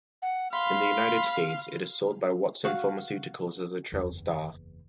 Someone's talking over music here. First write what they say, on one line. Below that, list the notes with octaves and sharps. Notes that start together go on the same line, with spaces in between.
In the United States, it is sold by Watson Pharmaceuticals as Trelstar.
F#5
F5 B5 C6
F#4 F5
F#1 E2